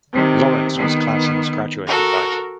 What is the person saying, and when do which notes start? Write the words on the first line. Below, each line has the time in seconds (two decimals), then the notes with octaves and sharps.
Lawrence was Claussen’s graduate advisor.
0.12 C3 D#3
0.77 D#3 B3
1.86 F#4 A4 A#4